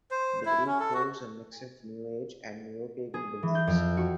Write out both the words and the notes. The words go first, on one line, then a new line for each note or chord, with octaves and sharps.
The group holds a mix of New Age and neopagan beliefs.
C5
E4
C#4
A4
F#4
G#4
E3
G6
F2
F#4